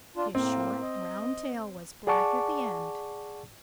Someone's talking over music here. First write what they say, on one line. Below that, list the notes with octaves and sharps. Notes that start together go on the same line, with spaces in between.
His short, round tail was black at the end.
D4 F4
A2 A#3 C4
D#5
G#4 D5 F#5 A5 C#6 D6